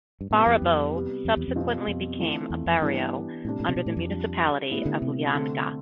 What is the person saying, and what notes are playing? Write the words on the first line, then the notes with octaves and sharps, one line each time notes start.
Barobo subsequently became a barrio under the municipality of Lianga.
G2
A2 C3 G3 B3 E4 G4
F2
F2
C3 G3 B3
F2
E2
F2
B2 G3 C4 F4
F2
E3 A3 C4 F4
E2
F2
G2 E3 B3 D4 G4
A2 C3 G3 D4
A2
C3
B2
A2
F2
G3 D4 F4
A2 G3 B3 E4
D3
C3
D3 A3 C4